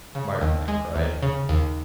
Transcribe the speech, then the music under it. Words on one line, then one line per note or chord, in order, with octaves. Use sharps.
"Martin," I cried.
C#3
D#2
G#3
D#2
C#3
D#2